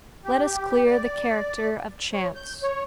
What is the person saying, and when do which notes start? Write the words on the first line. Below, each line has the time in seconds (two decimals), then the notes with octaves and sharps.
Let us clear the character of chance.
0.24 G4
0.86 D5
2.13 C#5
2.35 G6
2.63 C#5